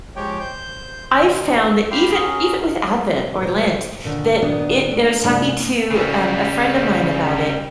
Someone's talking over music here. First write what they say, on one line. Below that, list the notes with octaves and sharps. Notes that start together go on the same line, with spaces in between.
I found that even even with Advent or Lent that it and I was talking to, um, a friend of mine about it,
F3 G#3 G4 C#5 G5
C5 G6
B2 D#3
G2 G4 F5 G5 B5 C6
C#4 G#4 A#4
B2 C5
A#2 D3 D#3
A#2 D#3 B3 D4
A3
F#2 C3 G#3 A#3 D4 D#4
C#3 G3